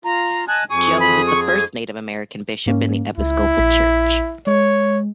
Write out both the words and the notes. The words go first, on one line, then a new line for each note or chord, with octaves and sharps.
Jones was the first Native American bishop in the Episcopal Church.
F4 A#5
D#5 G#5 A5 F#6
F2 G#4 C#6 D#6
B5
C#6
G#6
G#2 A#3 C#4
C#2 E4
A#1 B6
G#3 C#5